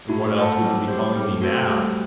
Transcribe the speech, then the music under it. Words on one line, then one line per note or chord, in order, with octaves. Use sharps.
"And what else would you be calling me now?"
A2 F#4
A4 C5 F#5 A5
F#3 C4
G3 G4 C5
A3 C4
F#4 A4 C5
G3 A3